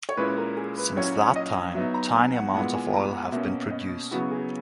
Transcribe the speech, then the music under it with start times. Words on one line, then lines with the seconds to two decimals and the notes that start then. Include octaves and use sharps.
Since that time, tiny amounts of oil have been produced.
0.09 C#5
0.17 A#2 G#3 C#4 E4 B4
0.38 A#4
0.57 G#4
0.77 B4
0.96 A#2 F#3 C#4 E4 C#5
1.36 D#5
1.75 F#3 B3 D#4 E5
1.94 A#5
2.15 G#5
2.33 F#5
2.54 A#2 G#3 B3 E4 F#5
2.74 G#5
2.94 A#5
3.12 F#5
3.32 B2 A#3 C#4 E5
3.71 D#5
4.11 C#3 F#3 B3 E4 F#4
4.31 G#4